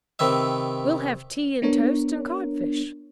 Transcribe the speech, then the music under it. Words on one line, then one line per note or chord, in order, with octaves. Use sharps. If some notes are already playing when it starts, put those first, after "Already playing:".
"We'll have tea and toast and codfish."
C3 D#3 B4 E5
B3 D4 A#4 C#5